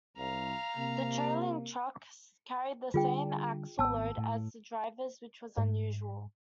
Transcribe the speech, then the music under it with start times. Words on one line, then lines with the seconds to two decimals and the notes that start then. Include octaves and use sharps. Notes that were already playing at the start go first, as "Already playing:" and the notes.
The trailing truck carried the same axle load as the drivers, which was unusual.
0.17 C2 F5 A#5
0.76 C3 A#3
2.94 D3 G3 F4 G#4 G5
3.79 G#1 B3 A5 E6
4.17 A2
5.58 G#2